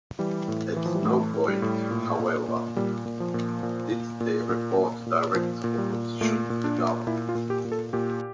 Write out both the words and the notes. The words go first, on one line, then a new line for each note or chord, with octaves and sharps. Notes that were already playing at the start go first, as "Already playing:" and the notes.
At no point, however, did they report direct opposition to the government.
E3 G3
A2
E3
F3
G3
A2 A3
A2
G3
A2
A#2
A#2
A#2
A#2 G3
A#2
F3
A#2
A#2
A#2
A#2
A#2
A#2
A#2
A#2 F3
A#2
G3
A#2
A#2 A3
A#2
D4
A#2
A#2 E4
F4
A#2
G4
A#2
A4
A#2 G4